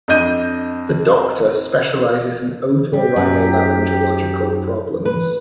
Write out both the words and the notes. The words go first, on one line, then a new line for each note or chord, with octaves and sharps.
The doctor specializes in Otorhinolaryngological problems.
F2 D4 D#5 G6 D#7
G3 G4
F#2
B4